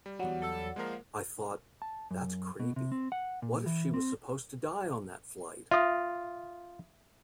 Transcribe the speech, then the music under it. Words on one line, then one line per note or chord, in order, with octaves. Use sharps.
I thought, that's creepy-what if she was supposed to die on that flight?
G3
E2 F#3 D5 F#5
A4
F3 G#3 A#3 A#4
A5
F#2
B2
C3
C4
F#5
A#2
E3
C4
F4 E5 D#6